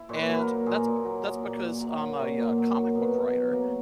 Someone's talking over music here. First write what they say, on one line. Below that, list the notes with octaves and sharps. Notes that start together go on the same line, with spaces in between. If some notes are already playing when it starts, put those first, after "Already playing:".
and that's be that's because I'm a, uh, comic book writer,
Already playing: E4
A#2 C#5
B4
F#3 B4
A#4
A#3
A#2 G#4
A#2
F#3
A#3
A#2
A#2
F#3
A#3
A#2 C#5
A#2
F#3
A#3
B2
B2
F#3
A#3